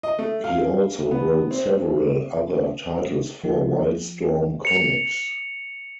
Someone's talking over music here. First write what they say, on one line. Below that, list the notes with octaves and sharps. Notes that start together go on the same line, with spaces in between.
He also wrote several other titles for Wildstorm Comics.
D#5
A3
F5
B3
C4
F3
C#7 F7